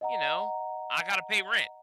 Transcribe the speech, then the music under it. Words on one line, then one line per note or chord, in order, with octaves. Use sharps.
you know, "I gotta pay rent,"
D#5 F#5 A#5